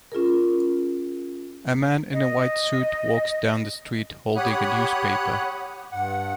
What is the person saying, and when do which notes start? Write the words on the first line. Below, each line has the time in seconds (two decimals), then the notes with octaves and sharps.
A man in a white suit walks down the street holding a newspaper.
0.12 C#4 F4 G#4 A#4
2.13 D#5
4.36 G4 C#5 F#5 B5 D#6 F#6
5.92 G2 F#5